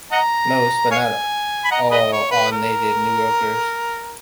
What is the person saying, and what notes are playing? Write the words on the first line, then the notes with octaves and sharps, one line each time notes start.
Most, but not all, are native New Yorkers.
D#5 F#5 A#5
C#5 F5 G#5
B5
D#5 F#5 A#5
G#4 B4 D#5
C#5
B4
A#4